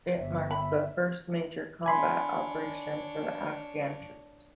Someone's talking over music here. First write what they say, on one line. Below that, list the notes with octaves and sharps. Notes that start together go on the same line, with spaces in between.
It marked the first major combat operation for the Afghan troops.
G1 E5
E5 B5
D4 C#5 G#5 B5 C6